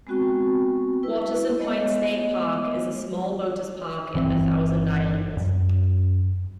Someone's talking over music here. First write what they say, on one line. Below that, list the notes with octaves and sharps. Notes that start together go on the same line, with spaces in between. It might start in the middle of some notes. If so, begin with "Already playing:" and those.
Waterson Point State Park is a small boater's park in the Thousand Islands.
G#3 B3 C4 F#4 G5 C#6
E4 B4
G#3 A3 B3 C#5 D#5
G1 E3 C4
F#2